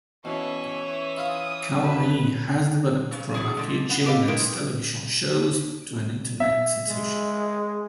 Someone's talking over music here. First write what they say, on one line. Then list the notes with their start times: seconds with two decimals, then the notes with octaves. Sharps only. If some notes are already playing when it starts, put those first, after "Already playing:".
Kawaii has developed from a few children's television shows to an Internet sensation.
0.25 B2 E3 C#4 E5 C#6
1.17 E4 F4 D#6
1.81 F#2 B4 A5
3.11 G2 C#3
3.34 F#3 G3 A3 E4 G#4
3.57 D3 G#3
3.89 B3 F#5
4.06 G4 A4 B4 D#5 F5
4.28 C4 D#4 E4 A#4 B4
6.40 E5
6.88 G#3